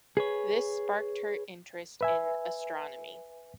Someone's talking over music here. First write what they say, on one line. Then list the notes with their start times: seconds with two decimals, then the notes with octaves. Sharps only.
This sparked her interest in astronomy.
0.17 G#4 B4 C#5
2.01 B4 E5 G#5